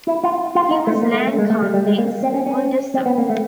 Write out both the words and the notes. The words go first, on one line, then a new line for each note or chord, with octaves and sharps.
He was Lan Kham Deng's oldest son.
E4
F4
F4
D#4
A3
A#3
A3
A3
G#3
A3
G3
G3
G#3
A#3
C4
C#4
C#4
C4
B3
A#3
A3